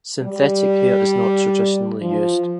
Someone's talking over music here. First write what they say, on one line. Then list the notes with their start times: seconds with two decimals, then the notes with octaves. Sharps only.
Synthetic hair is not traditionally used.
0.22 G3
2.01 F3